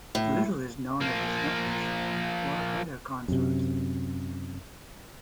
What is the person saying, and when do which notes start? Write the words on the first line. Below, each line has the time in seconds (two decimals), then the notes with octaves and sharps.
Little is known of his empress or other consorts.
0.15 A2
1.01 F3 A#3
3.28 F#2 C3